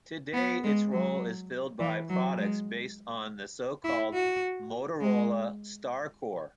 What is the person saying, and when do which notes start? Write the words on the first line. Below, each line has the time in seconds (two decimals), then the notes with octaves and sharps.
Today its role is filled by products based on the so-called Motorola StarCore.
0.34 B3
0.63 G#3
0.92 F#3
1.79 E3
2.09 F#3
2.38 G#3
3.84 E4
4.14 F#4
5.00 G#3